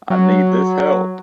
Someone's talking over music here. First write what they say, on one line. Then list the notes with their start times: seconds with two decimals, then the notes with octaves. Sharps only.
I need this help.
0.10 F#3